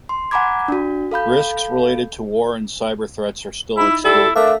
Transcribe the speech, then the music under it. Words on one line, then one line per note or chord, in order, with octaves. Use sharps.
Risks related to war and cyber threats are still excluded.
C6
F#5 G#5 A#5 B5 D6 G#6
D4 F#4
A4 F5 B5 G6
D#4 E4 B5
G3 E4 A4
A3 D4 A#4 E5 F5